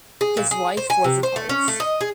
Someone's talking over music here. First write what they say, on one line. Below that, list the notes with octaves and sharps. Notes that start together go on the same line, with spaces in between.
His wife was an artist.
G#4
A#2
G#4
C5
G#5
C3
C5
A3
C#4
A3
D#5
G#4